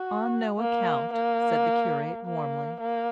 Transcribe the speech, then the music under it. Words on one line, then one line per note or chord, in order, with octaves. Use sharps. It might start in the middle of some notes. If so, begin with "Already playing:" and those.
"On no account," said the curate, warmly.
Already playing: F#4
A#3
A#3
A#3
A#3